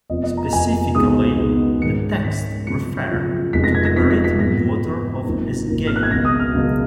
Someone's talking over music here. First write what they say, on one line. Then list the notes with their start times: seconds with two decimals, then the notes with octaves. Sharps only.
Specifically, the texts refer to the maritime waters of Esgueira.
0.10 F1 F2 F3 B3 D#5
0.23 D#5
0.37 A#5
0.52 F1 F2 F3 B3 G#5
0.95 C#2 B2 G#3 B3 D#4 D#6
1.38 C#2 B2 G#3 B3 D#4
1.81 G#2 D#3 G#3 C#4 C#7
2.24 G#2 D#3 G#3 C#4 B6
2.67 F#2 C#3 F3 C#7
3.10 F#2 C#3 F3
3.53 F1 F2 F3 G#3 D#4 B6
3.64 A#6
3.75 G#6
3.85 A#6
3.96 F1 F2 F3 G#3 D#4 B6
4.11 B6
4.24 B6
4.39 G#2 F3 B3 A#6
4.83 G#2 F3 B3
5.25 G#1 F#2 F3 A#3 D#4
5.68 G#1 F#2 F3 A#3 D#4
5.87 F6
5.96 F#6
6.03 G#6
6.11 C#2 B2 F#3 A#6
6.25 D#6
6.40 F6
6.54 C#2 B2 F#3